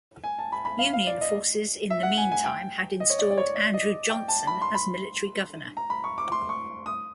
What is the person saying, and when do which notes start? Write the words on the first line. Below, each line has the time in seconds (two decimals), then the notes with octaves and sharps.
Union forces, in the mean time, had installed Andrew Johnson as military governor.
0.24 G#5
0.39 A5
0.52 B5
0.65 B5
0.79 F5
0.93 F5
1.07 D5
1.21 D#5
1.90 E5
2.03 F#5
2.18 G#5
2.32 G#5
2.44 G5
3.00 D#5
3.10 C#5
3.19 D5
3.31 D5
3.38 C#5
3.56 D5
3.74 D#5
4.10 G5
4.28 A5
4.47 B5
4.62 C6
4.75 B5
5.77 A#5
5.90 B5
6.04 C#6
6.18 D6
6.32 C6
6.49 C#6
6.86 D#6